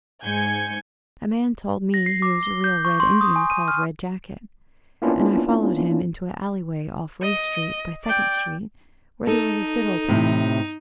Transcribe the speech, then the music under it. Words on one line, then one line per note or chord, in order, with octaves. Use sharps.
A man told me he was a real Red Indian called Red Jacket, and I followed him into an alley-way off Race Street by Second Street, where there was a fiddle playing.
G#2 G#5 G6 G#6 C#7
A#6
C7
D6
G7
G6
C#6
C6
D#6
G#5
D#7
F6
A#3 B3 C#4 D4 E4 F4
D#5
D5 G5
D#4 A4
A2 C3